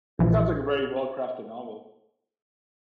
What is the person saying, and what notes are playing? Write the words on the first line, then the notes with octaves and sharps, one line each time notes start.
It sounds like a very well-crafted novel.
A#1 E3 F3